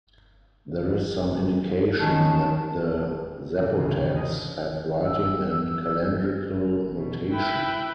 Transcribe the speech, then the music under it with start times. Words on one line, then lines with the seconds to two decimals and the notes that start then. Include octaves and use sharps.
There is some indication that the Zapotecs had writing and calendrical notation.
2.00 D#3 C#4 A5
3.57 G2 C3 E3
3.79 C#2 C#3
4.16 D#2 D#5
5.04 E6
6.94 B2
7.32 E4 B4 G5 B5